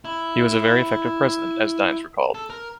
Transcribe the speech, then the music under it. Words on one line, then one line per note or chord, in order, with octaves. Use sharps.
He was a very effective president, as Dines recalled.
E4
A4
A#4